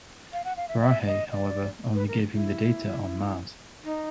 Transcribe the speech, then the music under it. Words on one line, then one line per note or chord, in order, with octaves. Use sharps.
Brahe, however, only gave him the data on Mars.
F5
F#5
F5
E5
E5
D#5
D#5
D5
B4
A#4
E4
D#4